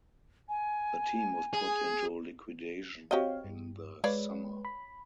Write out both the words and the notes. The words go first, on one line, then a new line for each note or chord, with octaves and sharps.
The team was put into liquidation in the summer.
G#5
G#4
C4 F#4 G4 C#5 D#5 F5
G2
G#3 B4 C#5 D5 F5
B5